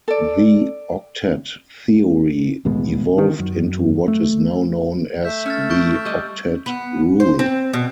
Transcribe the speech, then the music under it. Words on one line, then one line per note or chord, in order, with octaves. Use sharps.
The "octet theory" evolved into what is now known as the "octet rule".
A4 D5
A1 D#2 B2 G#3
D#3
F#2
A3
A3 E5 G6
C#4 E6 F6 A6
C#6 G6 D7
G3 D#5 G6
B3
C5
C4
B2